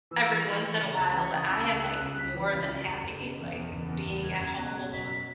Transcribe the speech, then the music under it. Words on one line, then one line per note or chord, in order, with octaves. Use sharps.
every once in a while, but I am, like, more than happy, like, being at home
E3 E6
E3 C#6
E3 C#6
E3 C#6
C#3
C#2 A5
B5
E3
C#6
C#2 D#6
C#2 E6
C#2
C#2 F#6
C#2
C#2 B6
E3
C#2
C#2
F#1
F#1
B2
E2
E2
F#1
E2
F#1
F#1 G#6
F#1 G#6
B2 F#6
B2 G#6
F#1 B6